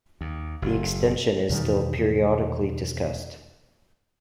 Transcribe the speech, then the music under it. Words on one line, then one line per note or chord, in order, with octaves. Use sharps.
The extension is still periodically discussed.
D#2
F#1
E2 B2 D#3 G3